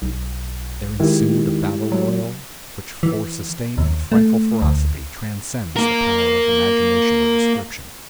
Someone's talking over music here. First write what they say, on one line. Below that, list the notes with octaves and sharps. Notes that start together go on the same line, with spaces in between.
There ensued a battle royal which for sustained and frightful ferocity transcends the power of imagination or description.
B1
D#3 G#3 E4 G4
F#3
E3
D#2
A3
D2
A#3 A#4